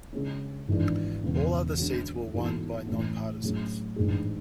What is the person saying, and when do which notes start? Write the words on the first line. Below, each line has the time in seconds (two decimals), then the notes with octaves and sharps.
All other seats were won by non-partisans.
0.13 C#3 G#3 C#4
0.68 G#1 G#2 E3 G#3 D4
1.23 E1 E2 C#3 G#3 B3
1.78 D3 G#3 C#4 F#4
2.33 G#2 E3 B3 F#4 A4
2.87 A2 E3 A3 C#4
3.42 A2 F#3 C#4 G#4
3.96 A1 G#2 G#3 D4 G#4